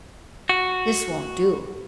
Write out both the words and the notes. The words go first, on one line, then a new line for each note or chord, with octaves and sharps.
This won't do.
F#4